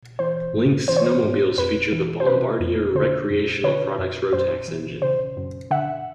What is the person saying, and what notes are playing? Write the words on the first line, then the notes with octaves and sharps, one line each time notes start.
Lynx snowmobiles feature the Bombardier Recreational Products Rotax engine.
E3 C5
G#2
E3 C5
C#5
C5
G#2
F2 B4
E3
C5
C3 B4
F2
D3 C5
F#2
D3 B4 C#5
F#2
F#2 C5
E3
C#3 C5
F#2
D3 E5 F#5